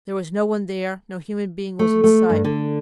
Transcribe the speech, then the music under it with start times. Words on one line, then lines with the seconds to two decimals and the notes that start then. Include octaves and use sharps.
There was no one there; no human being was in sight.
1.79 A3
2.04 A3
2.30 G2
2.44 D3